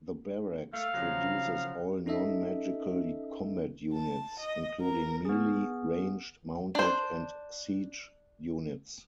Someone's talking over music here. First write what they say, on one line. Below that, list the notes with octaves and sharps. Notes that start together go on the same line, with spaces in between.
The Barracks produces all non-magical combat units, including melee, ranged, mounted, and siege units.
A3 F5
C#3 F3 F#3
C#4 D#4 A4 D#5 E5
A5
D#5
A#4
B3 G#4
D4 C5